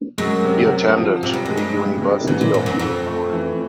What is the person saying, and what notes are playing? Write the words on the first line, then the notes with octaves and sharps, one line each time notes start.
He attended the University of Illinois.
F#2 G#3
C3
C3
F3
G#2 C3
G2
F#2 G#3
G2
G#3
C3
G#2 E3
A#2
G#2 C4
F#2
F2 C4
A3
E3